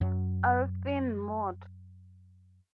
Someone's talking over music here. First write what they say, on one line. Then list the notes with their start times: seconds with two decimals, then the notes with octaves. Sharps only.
Arifin Mohd.
0.01 F#2 F#3